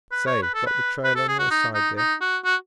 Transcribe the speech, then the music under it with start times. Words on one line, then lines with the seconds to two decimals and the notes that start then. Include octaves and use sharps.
Say, got the trail on your side there?
0.11 B4
0.27 C#5
0.43 B4
0.54 A4
0.66 B4
1.04 B4
1.15 A4
1.28 G#4
1.39 F#4
1.51 D#4
1.74 D#4
1.98 D#4
2.21 F#4
2.45 F#4